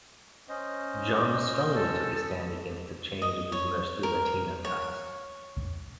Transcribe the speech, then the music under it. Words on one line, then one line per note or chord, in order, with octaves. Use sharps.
John strongly took a stand against the change of his mostly Latino cast.
C#4 C5 D#5
A4
D#5
C#5
A#4
C#5